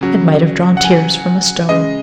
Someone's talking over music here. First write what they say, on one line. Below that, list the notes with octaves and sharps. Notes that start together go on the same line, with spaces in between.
It might have drawn tears from a stone.
C#3 F#3
F#5
G#5
C#3 G#3 D#5